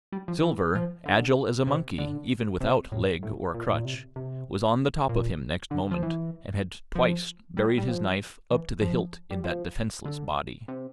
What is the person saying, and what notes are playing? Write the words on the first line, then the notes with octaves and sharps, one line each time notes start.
Silver, agile as a monkey even without leg or crutch, was on the top of him next moment and had twice buried his knife up to the hilt in that defenceless body.
G3
F3
E3
F3
D3
C3
D3
C3
A2
A2
A#2
A2
A#2
C3
C3
A#2
D3
F3
E3
F3
G3
G3
F3
E3
F3
G3
F3
D3
C3